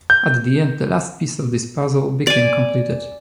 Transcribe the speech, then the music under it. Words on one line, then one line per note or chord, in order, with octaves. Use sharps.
At the end the last piece of this puzzle became completed.
G6
D5 G#5